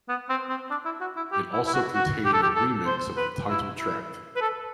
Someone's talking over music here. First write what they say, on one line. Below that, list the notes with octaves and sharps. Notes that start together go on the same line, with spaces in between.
It also contained a remix of the title track.
B3
C4
C4
D4
E4
F#4
E4
G4
E4
E4
F#4
F#4
G4
A4
G4
A4
C5
B4
E4
E4
B4
A4